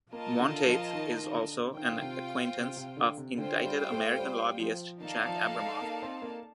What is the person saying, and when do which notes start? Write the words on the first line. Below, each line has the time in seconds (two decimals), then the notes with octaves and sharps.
Monteith is also an acquaintance of indicted American lobbyist Jack Abramoff.
0.12 A#3 F4 A#4 D#5 A5
0.40 D3
0.66 F3
0.93 D#3
1.24 D#3
1.34 D3
1.75 D#3 F4 C5 G5
1.93 D3
2.02 C3
2.57 C3
2.76 C3
2.97 D3
3.17 C3
3.38 D3 F4 C5 G5
3.65 G3
3.92 A3
4.19 G3
4.60 F3
5.00 D#3 D#4 A4 D5 F5 A5
5.27 F3
5.81 A#3
6.02 C4
6.22 A#3